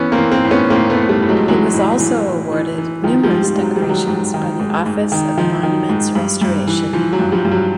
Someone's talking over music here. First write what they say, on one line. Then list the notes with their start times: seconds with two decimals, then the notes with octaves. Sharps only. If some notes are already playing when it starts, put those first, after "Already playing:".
He was also awarded numerous decorations by the Office of Monuments Restoration.
Already playing: E3 B3 C#4
0.12 A#3 C4
0.18 E3
0.31 A#3 C4
0.45 A2
0.51 B3 C#4
0.70 A2 A#3 C4
0.90 A3 B3
0.97 A2
1.09 G3 A3
1.23 A2
1.29 F#3 G#3
1.48 E3 F#3 G#3
1.74 A2
2.00 E3
2.26 A2
2.52 E3
2.78 E3
3.04 D#3 F3
3.23 F3 G3
3.30 G#2
3.43 F3 G3
3.56 G#2
3.62 F#3
3.76 G3
3.82 D#3
3.89 F#3
4.08 G#2
4.34 D#3
4.60 G#2
4.86 G#2
5.12 D#3
5.38 D#3 F3
5.63 D#3
5.89 G#2
6.15 G2
6.42 G2
6.67 E3
6.93 E3 F3
7.13 F#3
7.19 G2
7.32 F3 G3
7.45 G2
7.51 F#3